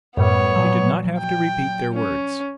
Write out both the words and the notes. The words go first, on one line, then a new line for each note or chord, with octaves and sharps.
They did not have to repeat their words.
F#2 A2 G3 B3 C#5
A#2 F3 F#3
G5
C#4